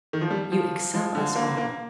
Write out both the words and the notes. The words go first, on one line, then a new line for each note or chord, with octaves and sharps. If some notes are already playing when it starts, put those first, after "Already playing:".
"You excel us all."
D#3
F3
G3
F3
F3
D3
A#3
A#3